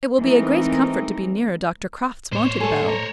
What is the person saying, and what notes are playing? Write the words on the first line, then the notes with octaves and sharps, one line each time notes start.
"It will be a great comfort to be nearer Dr. Crofts; won't it, Bell?"
E3 G#3 A3 C4 D#4 A#4
A2 C5 C#5
A3 A4 G#5 C6
A#5